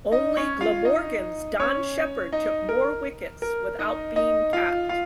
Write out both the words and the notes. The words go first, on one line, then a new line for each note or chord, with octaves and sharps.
Only Glamorgan's Don Shepherd took more wickets without being capped.
D#4 D#5
C#4 C#5
F4 F5
D#4 D#5
C#4 C#5
D#4 D#5
A#4
A#4
D#4 D#5
D#4 D#5
F4 F5
F4 F5